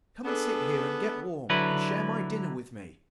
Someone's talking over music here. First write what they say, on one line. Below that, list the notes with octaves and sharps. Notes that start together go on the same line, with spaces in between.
Come and sit here and get warm, and share my dinner with me.'
B3 D4 G#4 A4 B4
D3 F#3 E4 B4